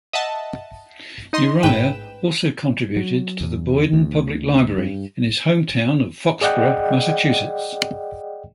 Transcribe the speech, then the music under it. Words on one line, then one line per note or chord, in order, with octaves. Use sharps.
Uriah also contributed to the Boyden Public Library in his hometown of Foxborough, Massachusetts.
D#5 E5 F#5 A5
D#4 D#5 C6
A1 G#2 B4 G5 E7
F#3
E2
D2
G2
G#4 D5 D#5 F#5 G5